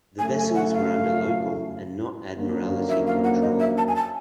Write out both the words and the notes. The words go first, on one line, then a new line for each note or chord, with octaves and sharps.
The vessels were under local and not Admiralty control.
F#2 C#3 F#3 A3 G#5
G#5
F#5
F5
F2 D3 F#3 A#3 C#4
E5
F5
F#5
D#5
E5
A5
G#5
A5